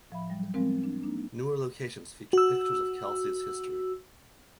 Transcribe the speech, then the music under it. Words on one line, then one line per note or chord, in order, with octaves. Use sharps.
Newer locations feature pictures of Kelsey's history.
A2 F3 E5 B5
F#3 G3
F3 G3 G#3 B3 C4 A#4
D4
A#3 D4 D#4
F#4 E6